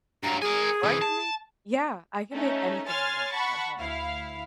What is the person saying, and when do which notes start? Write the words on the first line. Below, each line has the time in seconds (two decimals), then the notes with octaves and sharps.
So I can make Yeah, I can make anything I want at home,
0.23 G2 F#3 A#5
0.42 G#4 A#4 G#5
0.83 C3 E3
1.02 A5
2.33 A3 C#4 D#4
2.88 C#5 G#5 C6 F6 A6
3.33 F#5 A5 B5 C#6
3.78 D2 E4 F5